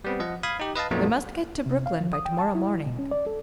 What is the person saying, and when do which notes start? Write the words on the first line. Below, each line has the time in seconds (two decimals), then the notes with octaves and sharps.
"We must get to Brooklyn by tomorrow morning."
0.04 G3 B3 C4
0.20 F3 D#5 F#5
0.43 F5 B5 D#6 G#6
0.60 D#4 G4
0.75 B4 D#5 F5 A5
0.91 F2 A#2 F#3 A3 B3 D#4
1.66 C3
1.86 F5
2.01 F3
2.13 D#6
2.25 G5
2.39 A5
2.55 E4
2.86 B2
2.99 C#4
3.11 D5
3.26 A4